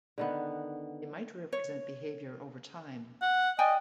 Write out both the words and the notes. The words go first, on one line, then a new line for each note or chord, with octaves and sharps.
They might represent behavior over time.
D3 D#3 B3
C#5
F#5
D5 D#5 G5 G#5